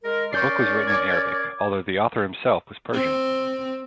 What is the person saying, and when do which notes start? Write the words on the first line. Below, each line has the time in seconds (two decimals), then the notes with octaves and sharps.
The book was written in Arabic, although the author himself was Persian.
0.04 G#3 A#4
0.33 C#4 A#4 D5 C#6 G6 C7
0.87 D6 G#6
2.93 C4